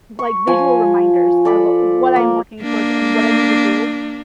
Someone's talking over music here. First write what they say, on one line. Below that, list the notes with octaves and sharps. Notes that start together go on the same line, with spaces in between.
like, visual reminders of what I'm working towards and what I need to do,
C#6
F3 G#5
A4 D5 B5
A#3
A#3 D4